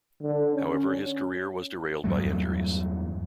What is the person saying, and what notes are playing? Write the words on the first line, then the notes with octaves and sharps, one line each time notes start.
However, his career was derailed by injuries.
D3
C#4
E2 G2 F#3 A3